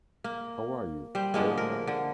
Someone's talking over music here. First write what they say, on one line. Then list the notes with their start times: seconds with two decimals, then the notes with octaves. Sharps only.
How are you, old man?
0.24 A#3
1.15 G3 C5
1.34 D3 F3 G#3 A#3
1.57 A#4
1.87 D3